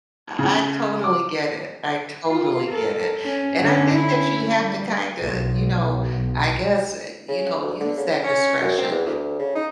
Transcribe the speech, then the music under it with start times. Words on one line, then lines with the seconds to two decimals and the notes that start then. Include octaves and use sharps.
I totally get it, I totally get it, and I think that you have to kinda, you know I guess, eh you know, use that discretion.
0.39 C#3
1.04 D6
2.26 F4
2.67 A4 A#4
3.23 C#4
3.62 D3 C#4
3.93 C#4 E4
4.57 G3
5.22 B1
7.29 C#3
7.61 D2
7.80 D3
7.97 C#3
8.24 C#4
8.61 F#2
8.78 C4
8.91 E2
9.06 D2
9.39 C#3
9.55 D#4